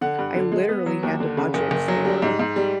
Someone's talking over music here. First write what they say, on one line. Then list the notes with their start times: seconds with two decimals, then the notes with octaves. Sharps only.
I literally had to budget for,
0.01 D3 F#5
0.18 G2
0.36 D3
0.52 G#3
0.69 B3
0.86 F#3
1.03 D#2
1.20 D3
1.37 C#3
1.54 F#1
1.71 F#1
1.88 F#3
2.05 G3
2.22 G#2
2.39 G#2
2.56 G3